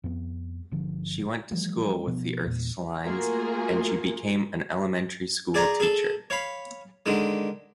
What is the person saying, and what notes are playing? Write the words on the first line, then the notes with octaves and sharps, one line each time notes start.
She went to school with the Ursulines and she became an elementary school teacher.
F2 B3
G1 D3 F3
E3 F3 G3 A3
B2 F3 B3
E2 A#2
A3 A#3 F4 F#4 G#4 A#4
G#4 D5 G#5 A#5
G#4 A4
C#5 F5 B5
D3 D#3 G#3